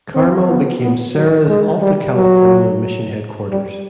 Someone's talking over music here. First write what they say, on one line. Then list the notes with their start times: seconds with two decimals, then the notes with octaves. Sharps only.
Carmel became Serra's Alta California mission headquarters.
0.15 C4
0.48 B3
0.82 B3
1.15 F#3
1.48 G#3
1.82 G3
2.16 F#3
3.49 G3